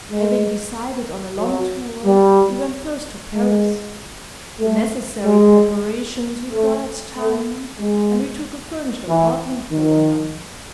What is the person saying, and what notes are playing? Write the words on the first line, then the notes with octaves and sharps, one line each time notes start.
HAVING decided on a long tour, we went first to Paris; the necessary preparations required time and we took a furnished apartment for one month.
G#3
F#3
G3
G#3
A3
G#3
A3
A3
G#3
E3
D#3